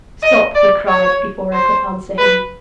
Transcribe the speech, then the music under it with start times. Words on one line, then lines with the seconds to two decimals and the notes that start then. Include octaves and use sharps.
"Stop!" he cried, before I could answer him.
0.22 D#5
0.55 D5
0.88 C#5
1.53 C5
2.18 B4